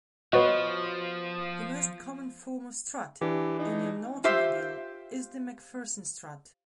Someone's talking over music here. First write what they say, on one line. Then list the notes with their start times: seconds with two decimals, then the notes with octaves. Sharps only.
The most common form of strut in an automobile is the MacPherson strut.
0.33 F3 B3 F#4 B4 C#5 D#5
3.21 E3 D4 G4
3.59 D#4
4.24 F4 G4 C5 E5